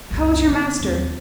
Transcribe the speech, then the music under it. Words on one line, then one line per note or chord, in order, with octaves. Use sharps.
How is your master?
F#1 C#2
D3 B3
D#2 C4